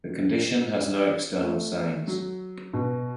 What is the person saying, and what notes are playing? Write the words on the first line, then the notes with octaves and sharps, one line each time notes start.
The condition has no external signs.
F#3
A3
F#3
B2